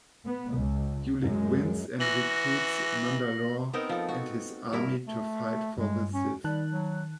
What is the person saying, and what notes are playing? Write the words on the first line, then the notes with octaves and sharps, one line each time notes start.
Ulic wins, and recruits Mandalore and his army to fight for the Sith.
B3
C#2
F#2 G#3
E3 F#4 A#6 F#7
B3 C4 D#4 A#4
F3 A4
F#4
G2 E4 A#4
A3
G2 G#3
C#4
D#3 G3 A5 F#6
F#3